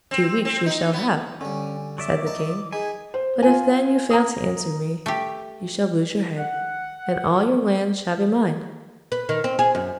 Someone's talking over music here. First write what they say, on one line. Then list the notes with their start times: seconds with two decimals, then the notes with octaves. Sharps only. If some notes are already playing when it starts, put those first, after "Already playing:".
"Two weeks you shall have," said the king; "but if then you fail to answer me, you shall lose your head, and all your lands shall be mine."
0.11 C4
0.45 C4
0.66 D#4
0.93 B3
1.41 D3 G3 C#4 G#5
1.98 F#3 D5 E5 D6
2.27 D#5 A5 A#5
2.73 D#4 G#4 G#5 B5
3.14 C5
3.42 F4 G#5
4.10 A#5 D#6
5.06 A3 G4
6.37 F#5
9.12 B4
9.29 D#3
9.44 C4
9.59 G#4
9.75 F#2